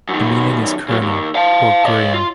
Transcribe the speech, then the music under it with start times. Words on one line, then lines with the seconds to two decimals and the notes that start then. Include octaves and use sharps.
The meaning is "kernel" or "grain".
0.09 F#2 D#3
0.88 C#3 F#3
1.01 D#2
1.35 F5 A5
1.85 C#5 D#5
2.14 F4